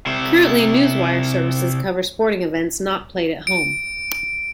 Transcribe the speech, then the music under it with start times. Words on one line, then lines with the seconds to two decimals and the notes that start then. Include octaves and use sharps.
Currently, news wire services cover sporting events not played at home.
0.07 C3 E4
3.47 D7